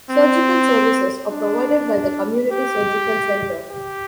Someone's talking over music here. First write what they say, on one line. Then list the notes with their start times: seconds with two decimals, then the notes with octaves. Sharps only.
Surgical services are provided by the Community Surgical Center.
0.10 C4
1.31 D4
2.52 G4
3.71 G4